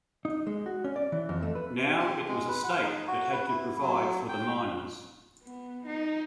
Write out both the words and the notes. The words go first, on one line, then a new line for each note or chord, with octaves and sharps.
Now it was the state that had to provide for the minors.
D#4
G#3
F#4
C#4
D5
E3
F2
A3
B4
G4
G#3
B4
F#5
D#4
F#4
B4
E4
F#3
G5
B3
D#4